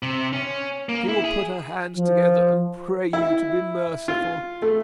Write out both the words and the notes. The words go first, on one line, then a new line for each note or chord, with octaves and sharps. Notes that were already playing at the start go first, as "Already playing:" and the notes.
She will put her hands together and pray you to be merciful.
C3
C#4
A#3
E4
G#4
F3
E4
F4
A3